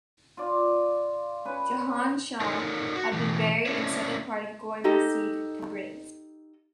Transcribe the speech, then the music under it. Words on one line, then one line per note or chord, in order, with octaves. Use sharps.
Jahan Shah had been buried in southern part of Goy Macid, Tabriz.
F4 D5
C#4 B4
D4 D#4 A4 A#4 C#5
F#4
B2 E3 A3
A#3 C#4 D4 E4 C5 C#5
D#4 G4 A4 D#5